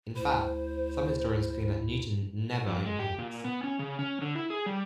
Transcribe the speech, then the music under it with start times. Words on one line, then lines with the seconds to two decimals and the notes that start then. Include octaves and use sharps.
In fact, some historians claim that Newton never owned pets.
0.16 D2 E4 C5
2.66 F2
2.86 G#3
2.99 G4
3.19 A#2
3.44 B3
3.64 C#4
3.79 C#3
3.99 C#4
4.22 D3
4.35 E4
4.50 G#4
4.66 G3